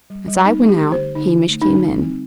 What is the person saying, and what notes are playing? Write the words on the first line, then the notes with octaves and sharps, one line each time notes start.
As I went out, Hamish came in.
G3
G3
C4 D#4
A3
G4
D3
C5
D3
D3 D#4
D3
A3
D#4
D3
G3
C4